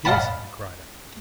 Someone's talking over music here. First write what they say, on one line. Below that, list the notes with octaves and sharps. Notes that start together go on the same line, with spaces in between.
"Jason!" he cried out.
D#5 F5 F#5 A5 B5